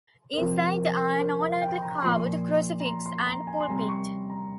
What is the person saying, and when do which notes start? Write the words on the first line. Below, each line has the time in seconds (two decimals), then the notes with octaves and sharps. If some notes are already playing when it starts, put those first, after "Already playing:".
Inside are an ornately carved crucifix and pulpit.
0.33 A#4
0.37 C3 F3 C5
0.65 A#4
0.82 C5
0.92 A#4
1.15 A#4
1.20 C5
1.41 F5
1.52 F5
1.61 G5
1.82 A#5
2.03 A#2 F3 C6
2.80 A#5
2.85 C6
3.06 C6
3.20 C6
3.27 A#5
3.47 G#5
3.60 C6
3.68 C3 G3 A#5
3.79 C6
3.89 C#6
4.30 A#5